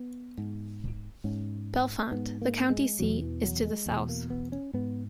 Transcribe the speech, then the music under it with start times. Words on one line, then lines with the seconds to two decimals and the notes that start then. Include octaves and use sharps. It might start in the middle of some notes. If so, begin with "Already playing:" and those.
Bellefonte, the county seat, is to the south.
Already playing: B3
0.38 G#2
1.24 G#2 C#4
2.11 G#2 B3
2.42 A#3
2.70 G#3
2.99 E2 B2 F#3
3.21 E3
3.42 F#3
3.65 G#3
3.86 E2
3.91 B2
4.09 A#3
4.30 B3
4.52 C#4
4.73 G#2 B3